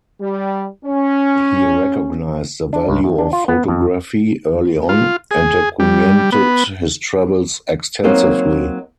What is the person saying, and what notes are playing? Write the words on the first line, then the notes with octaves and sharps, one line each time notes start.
He recognized the value of photography early on, and documented his travels extensively.
G3
C#4
D4
C#2
E2
D4
F4
B3
F2
F4
G#4
G3
B3
F#3 A#3 C4 D#4